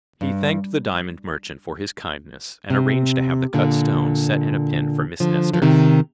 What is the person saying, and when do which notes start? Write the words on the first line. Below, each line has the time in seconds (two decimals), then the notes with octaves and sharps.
He thanked the diamond merchant for his kindness, and arranged to have the cut stone set in a pin for Miss Nestor.
0.21 G2
2.70 C3
3.54 A#2 D3
5.20 D3 F3
5.53 F3
5.62 C3 D#3